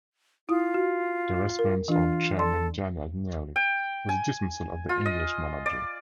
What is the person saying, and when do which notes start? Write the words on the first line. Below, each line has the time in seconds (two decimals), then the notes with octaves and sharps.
The response of chairman Gianni Agnelli was the dismissal of the English manager.
0.49 E4 F4 D#6
0.74 F#4
1.59 A#4
1.88 E3 D4 F4
2.37 A4 D5 C6
3.56 G5
4.09 G#5
4.89 F4
5.06 D#5
5.66 D5